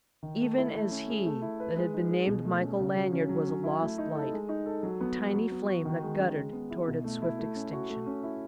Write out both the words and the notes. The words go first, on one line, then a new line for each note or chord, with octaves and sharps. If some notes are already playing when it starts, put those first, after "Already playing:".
Even as he that had been named Michael Lanyard was a lost light, a tiny flame that guttered toward its swift extinction....
D#3
A3
E4
A3
C#4
G#4
A3
E4
B4
G#3
D#4
G#4
B2
A3
C#4
C#3
F#3
C#4
F#3
C#4
E4
A3
D#4
A4
G#3
D#4
A4
F#3
B3
F#4
F#3
B3
F#4
D#3
G#3
C#4
G#3
B3
E4
B2
A3
E4
A3
C#4
F#4
A3
C#4
E4